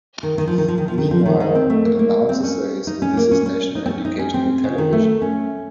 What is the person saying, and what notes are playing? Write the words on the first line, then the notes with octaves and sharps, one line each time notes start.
Meanwhile, an announcer says, This is National Educational Television.
D#3
D#3
F3
D#3
F3
D#3
F3
D#3
F3
D#3
D#3
C4
A3
A#3
A#3
C4
C#4
D#4
C#4
A#3
C#4
C#4
D#4
C4
C#4
D#4
C#4
C4
C#3
D#3
A3
C#4